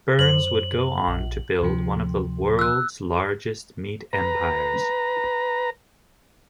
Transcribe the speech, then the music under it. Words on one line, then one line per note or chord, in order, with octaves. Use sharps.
Burns would go on to build one of the World's largest meat empires.
F#2 C5 F#7
A#1
D2 C3 F3
E6 F#6
B4 A#5